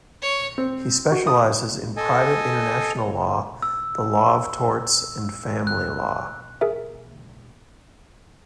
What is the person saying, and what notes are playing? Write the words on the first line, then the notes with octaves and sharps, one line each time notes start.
He specialises in private international law, the law of torts and family law.
C#5
C4
F#4
D#6
A4 D#5 G#5
E6
F#6
G#4 A#4 E5